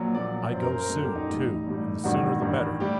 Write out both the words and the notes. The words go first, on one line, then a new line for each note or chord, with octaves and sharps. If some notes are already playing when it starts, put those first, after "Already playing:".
I go soon, too, and the sooner the better.
Already playing: A#1 A#2 F#3
A#1 A#2 F#3 D5
F#2 F#3 C5
A#4
C5
A#4
F#2 F#3 A4
G4
D#4
A1 A2 G3
A1 A2 G3
A1 G2 D#3 G3 F#4
A1 G2 D#3 G3
A2 G3 G4